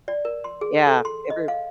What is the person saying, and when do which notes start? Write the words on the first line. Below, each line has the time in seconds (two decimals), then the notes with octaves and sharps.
yeah, every
0.08 D5
0.25 A#4
0.44 C6
0.61 G#4
0.87 A4
1.05 C6
1.30 D#5
1.48 F5